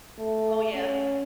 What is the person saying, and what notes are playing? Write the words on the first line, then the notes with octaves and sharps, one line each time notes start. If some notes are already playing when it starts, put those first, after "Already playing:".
Oh, yeah.
A3
C#4